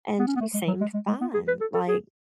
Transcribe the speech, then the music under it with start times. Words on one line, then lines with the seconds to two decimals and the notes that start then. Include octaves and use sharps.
and she seemed fine. Like
0.19 B3
0.27 C#4
0.36 B3
0.41 A3
0.54 G#3
0.68 F#3
0.81 G#3
0.94 G#3
1.08 G#3
1.21 B3
1.34 G#4
1.48 B4
1.61 A4
1.74 A4
1.88 G#4